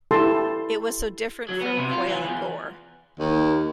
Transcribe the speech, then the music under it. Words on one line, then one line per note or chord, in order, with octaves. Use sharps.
It was so different from Quayle and Gore.
E4 G4 A4 A5 C6 E6
F#3
B3
C3
F4
E3
E2
D#2